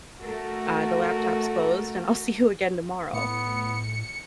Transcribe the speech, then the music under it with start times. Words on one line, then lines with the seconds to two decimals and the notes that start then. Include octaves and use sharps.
uh, the laptop's closed, and I'll see you again tomorrow?"
0.23 A3 F#4 A4 A#4
3.13 A2 B3 C#7